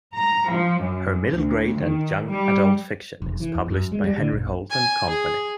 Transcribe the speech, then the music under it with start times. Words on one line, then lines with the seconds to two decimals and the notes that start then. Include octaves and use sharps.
Her middle grade and young adult fiction is published by Henry Holt and Company.
0.14 A#5
0.49 F3
0.80 F#2
1.30 D2
1.77 D#3
2.25 G3
3.22 F1
3.40 E3
3.55 E2
3.70 F#2
3.92 G#3
4.04 G3
4.18 D3
4.32 A#1
4.70 G#5
5.08 G#4